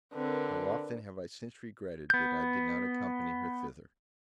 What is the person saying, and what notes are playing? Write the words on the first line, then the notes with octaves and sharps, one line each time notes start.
How often have I since regretted that I did not accompany her thither!
D3 C4 A#4 B4
B3 G6